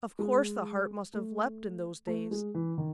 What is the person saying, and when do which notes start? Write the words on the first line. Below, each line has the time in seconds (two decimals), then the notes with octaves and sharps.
Of course, the heart must have leaped in those days.
0.19 G#3
1.13 A3
2.07 A3
2.31 G#3
2.55 E3
2.78 D#3